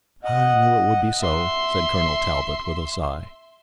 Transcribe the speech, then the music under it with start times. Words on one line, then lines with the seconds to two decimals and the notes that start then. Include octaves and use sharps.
"I knew it would be so," said Colonel Talbot, with a sigh.
0.25 D#5 F#5
1.19 E5 C6